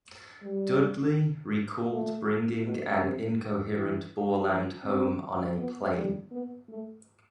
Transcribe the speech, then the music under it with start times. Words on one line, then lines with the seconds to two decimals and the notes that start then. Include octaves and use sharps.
Dudley recalled bringing an incoherent Borland home on a plane.
0.43 G3
1.90 A3
2.63 B2
3.00 C3
3.74 E3
4.48 F3
4.84 C4
5.58 B3
5.95 G3
6.32 B3
6.68 A3